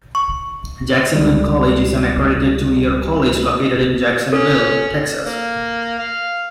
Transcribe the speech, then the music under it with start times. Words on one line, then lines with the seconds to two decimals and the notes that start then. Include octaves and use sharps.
Jacksonville College is an accredited two-year college located in Jacksonville, Texas.
0.15 C#6
1.15 C#2 G3
4.33 C#4 A4
5.25 A#3
5.98 F5